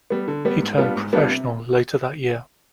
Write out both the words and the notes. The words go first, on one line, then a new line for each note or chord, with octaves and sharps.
He turned professional later that year.
G3 B3
D3
G3 B3
G#2
G3 B3 D4 F4
G#2
G3 B3 D4 F4
C3